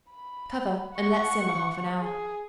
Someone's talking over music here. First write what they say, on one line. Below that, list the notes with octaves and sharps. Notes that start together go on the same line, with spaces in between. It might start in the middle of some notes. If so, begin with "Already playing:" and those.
Cover and let simmer half an hour.
B5
F#5 C#6
G#4